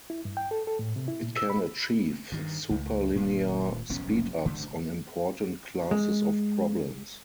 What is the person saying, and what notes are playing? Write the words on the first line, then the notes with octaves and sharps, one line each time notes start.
It can achieve super linear speed-ups on important classes of problems.
E4
G2
G5
A4
A4
A2
C3
E4
A#2
E6
B5
G2 D#3
C#2
D#1 A#2
F1 B1 B3 C#4
D3 A3
G#3